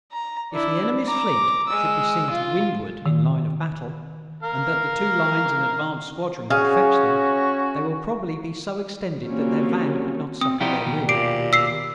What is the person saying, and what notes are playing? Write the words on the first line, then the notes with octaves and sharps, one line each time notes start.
If the Enemy's Fleet should be seen to windward in line of battle, and that the two lines and advanced squadron could fetch them, they will probably be so extended that their van could not succour their rear.
A#5
D4 E4
A#5 D6
G#3 E6
F4
D#3
A#4 F5
C#4 F#4 G#4 F5
F#3 G3 A#3 C4 C#4 F4
C4 D#6
F3 G3 E4 F4 F#5 G5 A#5
D#2 B2
A#2 G4 C7 D7
E6 B6 C7